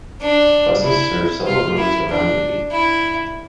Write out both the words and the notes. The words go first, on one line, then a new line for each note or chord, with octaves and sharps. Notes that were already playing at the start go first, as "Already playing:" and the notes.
Buses serve several roads around the heath.
D4
E4
F4
E4
D4
E4